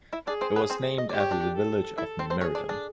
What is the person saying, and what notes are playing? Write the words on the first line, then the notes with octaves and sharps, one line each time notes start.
It was named after the village of Meriden.
E4 E5
D4 G#4 D5
C4 C5
B3 B4
C4 C5
D#5
G4 D5
C#5
D4 D5
A4
E4 A4 E5
C4 C5
C4 C5
C#4 G#4 C#5
D4 D5
D4 D5